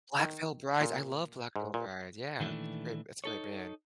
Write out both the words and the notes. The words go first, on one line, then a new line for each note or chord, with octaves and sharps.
Black Veil Brides. I love Black Veil Brides. Yeah. It's a great it's a great band.
D#3
A#2
G#2
A#2
A#2 D#3 E3 A3 D4
D#4 A4 C#5